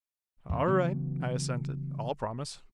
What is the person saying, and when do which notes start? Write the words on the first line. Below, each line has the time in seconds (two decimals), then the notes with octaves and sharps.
"All right," I assented, "I'll promise."
0.50 E2 C3
0.68 C#3 E3 F#3 B3